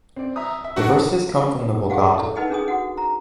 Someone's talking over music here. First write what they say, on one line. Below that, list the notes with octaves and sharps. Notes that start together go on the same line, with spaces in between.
The verses come from the Vulgata.
C4 D5
E5 A#5 D#6
E5
F#2 D4 F#4
G4 G#4 F5 F#5
E4 A4
D#4 A#4 B4 D#5 F#5 G#5
C#4 D4 G#4 G#5 D#6
F#4 F#5
A#5